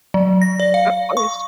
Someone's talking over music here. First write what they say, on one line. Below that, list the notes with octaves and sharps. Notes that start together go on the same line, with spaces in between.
Uh, honest
F#3
A#6
D5
F5
C#6